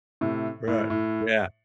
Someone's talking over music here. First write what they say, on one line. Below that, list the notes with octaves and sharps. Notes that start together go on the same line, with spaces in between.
Right, yeah.
A2 C3
A2
A2